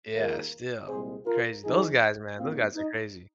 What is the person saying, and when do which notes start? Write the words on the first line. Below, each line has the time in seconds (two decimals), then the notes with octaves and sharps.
yeah, still crazy, those guys, man, those guys are crazy.
0.14 D#2 D#3 G#3 F4 A#4
0.88 C2 A#2 G#3 C4 G#4 C5
1.26 F4 A#4
1.63 F2 F3 G#3 C4 D#4 G#4
2.38 G#2 D#3 A#3 C4 F4
2.76 D#4